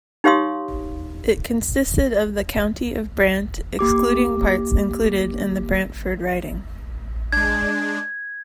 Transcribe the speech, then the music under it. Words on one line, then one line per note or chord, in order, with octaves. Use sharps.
It consisted of the County of Brant, excluding parts included in the Brantford riding.
D#4 G4 C#5 F5 C6 D#6
A#3 G4 D6
G#3 D4 G#6